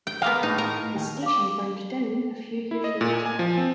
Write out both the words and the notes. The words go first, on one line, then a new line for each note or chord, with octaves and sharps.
The station burned down a few years later.
G5
G#3 A#3 B3 F5
A2 D#4
A#4 A#5
D#2
F5 D6
E4
D#5
A#2
G#5
G#5
F3
C4